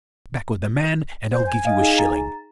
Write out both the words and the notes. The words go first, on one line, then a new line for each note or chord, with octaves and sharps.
Come back with the man, and I'll give you a shilling.
C5
G#5
D#5 F5
D#4 G#4
A#5 A6